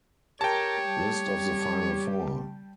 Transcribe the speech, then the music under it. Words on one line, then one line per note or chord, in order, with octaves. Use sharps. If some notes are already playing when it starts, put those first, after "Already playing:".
List of the final four.
G4 A#4 C#5 G5 A5
G3